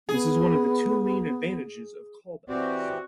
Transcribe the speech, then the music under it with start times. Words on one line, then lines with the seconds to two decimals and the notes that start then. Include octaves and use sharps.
This is one of the two main advantages of callbacks.
0.09 B3 G#4
2.49 E3 C4 F#4 G4 D5